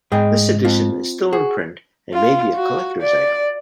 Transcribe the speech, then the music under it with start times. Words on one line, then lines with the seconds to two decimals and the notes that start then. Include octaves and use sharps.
This edition is still in print and may be a collectors item.
0.12 G#2 G#4 D#5 G5
0.65 C4 F4
1.33 F#4 G#4
2.14 F4
2.56 F#4
3.02 D5